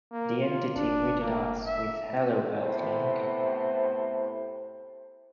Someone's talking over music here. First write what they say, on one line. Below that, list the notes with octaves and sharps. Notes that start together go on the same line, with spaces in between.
The entity greeted us with "hello earthling".
A#3
F4
F#1 D4
A#3
E5
A2 C3 B3 C5